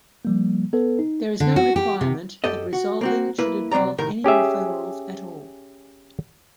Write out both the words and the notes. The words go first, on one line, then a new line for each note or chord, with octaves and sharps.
There is no requirement that resolving should involve any referrals at all.
F3 G3 A#3
B3 A4 B4
D#4
D3
F#4
G4
C3
F#2 G4 A4 D#5
F#4
A#3 C4 F#4
A#3 E4 B4
C2 F#3 C4 D5 A#5
C2 A2 D#3 A#4
C#4 G4 G#4 E5